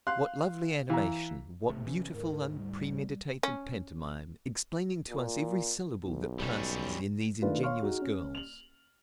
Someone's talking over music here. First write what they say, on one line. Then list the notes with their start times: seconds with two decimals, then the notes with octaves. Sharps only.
What lovely animation, what beautiful unpremeditated pantomime, explaining to us every syllable that passes, in these ingenuous girls!
0.07 F5 C6 F#6
0.90 E3 F5 A#5
1.69 G#1 C3 A3
1.84 C3 E3 C#4
2.13 D2 G#2 A#4
2.55 G3
3.43 C#4
5.10 A#2
6.04 B1
6.39 G3 C#4
7.42 D#3 A3 D4 F4 B4
7.63 C#5 F5 C6 C#6 F6
7.82 D#4 F#4 G#4
8.01 C#4
8.35 F7 F#7